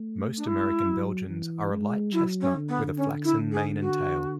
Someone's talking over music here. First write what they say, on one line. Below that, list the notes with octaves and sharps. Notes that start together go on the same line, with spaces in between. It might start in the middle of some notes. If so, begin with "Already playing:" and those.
Most American Belgians are a light chestnut with a flaxen mane and tail.
Already playing: A3
D4
G#3 E4
F#3
E3
G#3
F#3 E4
C#4
D3
B3
C#4
E4
G#4
F#4